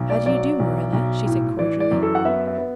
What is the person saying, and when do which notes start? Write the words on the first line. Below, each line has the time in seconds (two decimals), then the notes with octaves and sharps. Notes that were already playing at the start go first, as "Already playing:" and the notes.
"How do you do, Marilla?" she said cordially.
Already playing: B1
0.10 D5
0.26 F#3 D5
0.59 B1
0.93 B1
1.26 A2
1.59 E3 D5
1.80 D5
1.91 F#2
2.03 A4
2.15 F#5
2.25 B3 E5
2.47 E5
2.58 B3